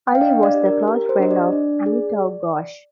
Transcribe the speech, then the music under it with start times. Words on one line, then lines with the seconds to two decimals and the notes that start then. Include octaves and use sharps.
Ali was the close friend of Amitav Ghosh.
0.08 G5
0.15 F5
0.21 D4 D#5
0.43 D5
0.54 G4
0.66 A#4
0.88 G4 A#4
1.09 C5
1.20 D4 D#5
1.31 D5
1.53 D4
1.86 G#4